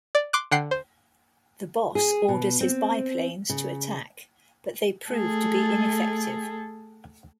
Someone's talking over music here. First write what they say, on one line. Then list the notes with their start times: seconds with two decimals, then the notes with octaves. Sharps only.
The Boss orders his biplanes to attack, but they prove to be ineffective.
0.15 D5
0.33 C6 D6 F#6
0.51 D3 F#5 G5 F#6 C7
0.71 C5
1.95 G#4
2.28 B2
2.61 C4
3.50 C#3
5.10 A3 G#4 A4